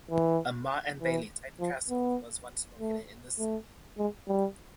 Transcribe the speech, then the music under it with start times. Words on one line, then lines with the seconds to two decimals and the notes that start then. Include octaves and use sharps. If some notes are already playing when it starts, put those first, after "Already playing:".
A motte-and-bailey-type castle was once located in the city.
0.11 E3
1.00 E3
1.60 F3
1.90 B3
2.80 A3
3.39 A3
3.98 G#3
4.28 G3